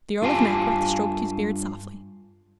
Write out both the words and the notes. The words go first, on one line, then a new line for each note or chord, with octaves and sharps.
The Earl of Mackworth stroked his beard softly.
G2 F4 G4 F5 G#5 A5